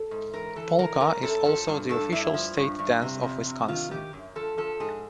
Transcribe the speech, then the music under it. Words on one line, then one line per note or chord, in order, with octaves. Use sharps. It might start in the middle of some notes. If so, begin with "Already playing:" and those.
Polka is also the official State Dance of Wisconsin.
Already playing: A4
G#2
E3 A#4
E3 A4
E3 A#4
F#2 A#4
F#2 A4
F3 A4
G2
G2 A4
G2 E4
F3
G2
G2
C3
F2
C3
D#3 F4
D#3 G4
F#2
F3 A4
F3 A4
G#2 G#4